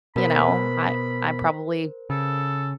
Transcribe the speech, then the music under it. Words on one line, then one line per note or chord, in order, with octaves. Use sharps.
You know? I I probably
B2 A#4 C5 B5
C#3 A4